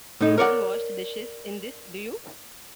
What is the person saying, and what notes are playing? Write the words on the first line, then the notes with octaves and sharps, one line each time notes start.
You don't wash the dishes in this, do you?
A2 D#4
A#4 C#5 D5 F#5